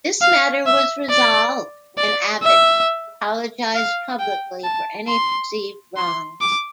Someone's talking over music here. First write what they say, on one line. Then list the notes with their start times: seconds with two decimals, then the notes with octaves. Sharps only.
This matter was resolved when Abbott apologized publicly for any perceived wrongs.
0.22 F5
0.66 E5
1.10 D5
1.98 D5
2.43 E5
3.75 F5
4.19 G5
4.64 A5
5.07 C6
5.96 C6
6.41 D6